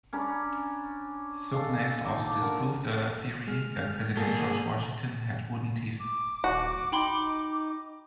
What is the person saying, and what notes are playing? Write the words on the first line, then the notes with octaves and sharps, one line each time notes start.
Sognnaes also disproved the theory that President George Washington had wooden teeth.
C#4 D4 A#5 B5
A4 D#5 F5
A#2 D#4 A5 D6
D3 A#4
G#3 F6
B2 A#3 G#4 A4
D6
D#1 F#4
D#4 G5 B5 C6